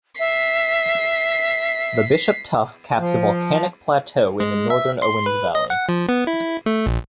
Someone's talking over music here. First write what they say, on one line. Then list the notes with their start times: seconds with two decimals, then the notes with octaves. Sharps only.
The Bishop Tuff caps a volcanic plateau in the northern Owens Valley.
0.19 E5 B6 C7
2.99 F3
4.40 G#3
4.70 E5
5.02 C6
5.26 B4
5.55 D#5
5.70 F#5
5.89 F3
6.09 B3
6.27 E4
6.66 A3
6.86 A#1